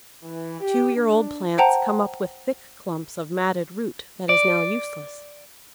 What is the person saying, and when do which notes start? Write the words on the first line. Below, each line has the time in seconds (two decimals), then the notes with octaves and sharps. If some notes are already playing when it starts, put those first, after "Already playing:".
Two-year-old plants come up with thick clumps of matted root that is now useless.
0.24 E3
0.61 G4
0.96 D4
1.58 C5 F#5 G5 A5 A#5
4.29 D5